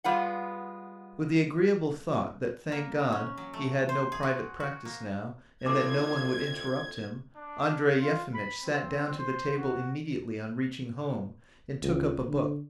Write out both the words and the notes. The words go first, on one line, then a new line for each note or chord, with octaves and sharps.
With the agreeable thought that, thank God, he had no private practice now, and that no one would interrupt him, Andrey Yefimitch sat down to the table immediately on reaching home and took up a book.
G3 G#3 B3 F4 F#5
A#3
C#4
F#3
A3
C5
G#4
F#4
F#4
A#3
G2 A#2 C4 E4 A4 D#5 D6 G#6
D4
F4
B5
C4
C5
F#4
C#2
D3